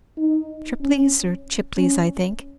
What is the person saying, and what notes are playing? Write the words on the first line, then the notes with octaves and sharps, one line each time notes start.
Tripley's or Chipley's, I think.
D#4
C#4
C#4